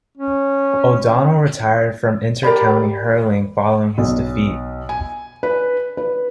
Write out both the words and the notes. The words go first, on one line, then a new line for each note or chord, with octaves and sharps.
O'Donnell retired from inter-county hurling following this defeat.
C#4
G4 A#4 D5 B5
B1
G#5
B4
B4